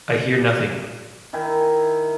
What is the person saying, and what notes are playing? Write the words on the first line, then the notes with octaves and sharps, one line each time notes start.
I hear nothing!
D#3 E4 E5 G#5